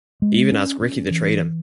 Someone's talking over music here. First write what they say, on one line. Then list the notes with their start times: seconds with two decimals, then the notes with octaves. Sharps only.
He even asked Rickey to trade him.
0.22 G#3
0.51 C#4
0.81 C#4
1.11 E3